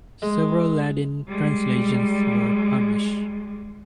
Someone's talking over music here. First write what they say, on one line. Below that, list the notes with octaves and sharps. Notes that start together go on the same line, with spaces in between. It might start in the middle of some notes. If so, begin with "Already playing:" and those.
Several Latin translations were published.
G#3
G3 G#3